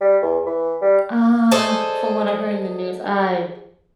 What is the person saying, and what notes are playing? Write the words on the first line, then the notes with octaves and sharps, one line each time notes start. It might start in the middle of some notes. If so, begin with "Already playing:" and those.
Uh, from what I heard in the news, I
G3
E2
E3
G3
G#4 A4 C5 D5 D#5 A5